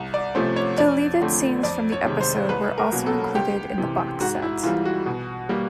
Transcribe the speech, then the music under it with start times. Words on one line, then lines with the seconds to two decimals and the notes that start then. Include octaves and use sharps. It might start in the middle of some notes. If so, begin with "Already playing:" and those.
Deleted scenes from the episode were also included in the box set.
Already playing: C2
0.14 D5
0.35 C3 F3 A3 C#4 C5
0.56 C#5
0.78 F2 D5
1.21 D3 F3 A3 C4
1.63 F2 D5
1.92 C#5
2.06 C3 D#3 G#3
2.21 C5
2.49 C2 B4
2.78 A#4
2.92 B2 F#3 A#3 C#4
3.06 A4
3.35 C#2 G4
3.78 C3 E3
4.20 G#2 F#4
4.42 E4
4.63 E3 F4
4.67 G3
4.85 F#4
5.06 B2
5.49 G3 A#3